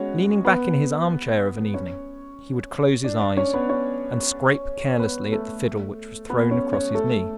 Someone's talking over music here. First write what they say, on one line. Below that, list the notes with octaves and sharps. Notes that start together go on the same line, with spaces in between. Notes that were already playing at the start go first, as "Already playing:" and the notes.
Leaning back in his arm-chair of an evening, he would close his eyes and scrape carelessly at the fiddle which was thrown across his knee.
Already playing: G#3 B3 C#4 F#4 C#5
B3 B4
C#4 C#5
D4 D5
D4 D5
C#4 C#5
B3 B4
C#4 C#5
B3 B4
A3 A4
B3 B4
C#4 C#5
C#4 C#5
A3 A4